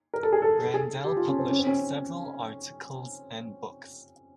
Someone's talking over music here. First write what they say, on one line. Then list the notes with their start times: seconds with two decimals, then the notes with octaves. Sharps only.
Randell published several articles and books.
0.14 A#4
0.23 A4
0.32 G#4
0.42 A4
0.59 A4
0.74 G#4
1.04 G4
1.17 F4
1.28 C#4
1.39 C4
1.51 C#4
1.59 C4
1.67 C#4